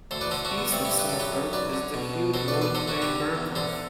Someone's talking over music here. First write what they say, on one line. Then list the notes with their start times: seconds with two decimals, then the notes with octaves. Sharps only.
Southeast of Sommerfeld is the huge walled plain Birkhoff.
0.11 D2 A4 C5
0.21 B4 D5
0.31 D3 A4 C5
0.45 F#4 A4
0.51 D3
0.58 B3
0.72 G2 A3 C4
0.85 E4 G4
0.91 G2
0.98 B4
1.09 F#2 A4
1.19 G4 B4
1.33 F#2
1.53 F#2 B4 D5
1.73 D3
1.94 B2
2.14 B2
2.34 B2 A4 C5
2.48 B4 D5
2.54 E2
2.62 B4 D5
2.75 D3 A4 C5
2.88 F#4 A4
2.95 D3
3.02 G4 B4
3.16 D3
3.35 E2
3.55 D3 A4 C5